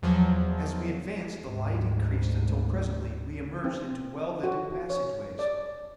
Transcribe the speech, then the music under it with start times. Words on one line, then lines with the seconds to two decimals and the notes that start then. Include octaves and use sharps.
As we advanced the light increased until presently we emerged into well-lighted passageways.
0.02 E2 F3 F#3
1.43 D2 G#2
3.64 C4
4.43 F#4
4.90 C#5
5.39 D5